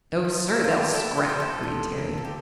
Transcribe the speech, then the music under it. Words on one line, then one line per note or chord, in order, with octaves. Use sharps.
"No, sir--they'll scrap," agreed Terry.
F3
E4
A#3 F4
G4
E4 A4
G4
F3
A4
F3
A#3
A4
G4